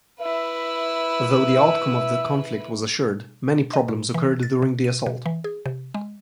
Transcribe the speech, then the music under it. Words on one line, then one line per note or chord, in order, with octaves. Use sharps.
Though the outcome of the conflict was assured, many problems occurred during the assault.
E4 B4 E5
D#5
A#2
E3
A6
C3
D#7
B2
E3
G#4
C3
G#3